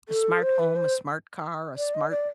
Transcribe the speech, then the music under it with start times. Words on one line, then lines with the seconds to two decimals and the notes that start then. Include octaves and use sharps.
A smart home, a smart car, a smart
0.09 A4
0.43 C5
0.59 B4
0.76 C5
1.77 D5
1.94 D#5
2.10 D5